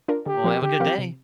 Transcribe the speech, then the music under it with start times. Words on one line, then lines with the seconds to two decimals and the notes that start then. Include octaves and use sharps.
Well, have a good day.
0.08 D4 F4 A#4
0.26 D3 G4
0.44 F3 C4 A#4 F5
0.62 D3 G4
0.80 F3 C4 A#4 F5
0.98 C3